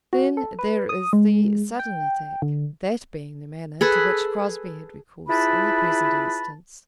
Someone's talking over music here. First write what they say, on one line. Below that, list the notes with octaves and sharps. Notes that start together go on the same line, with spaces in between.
Then there is the sudden attack,--that being the manner to which Crosbie had recourse in the present instance.
F#4
A4
B4
D#6
G#3
G5
D3
G#4 A4 B4
E4 F4 G#4 B4 A5 B5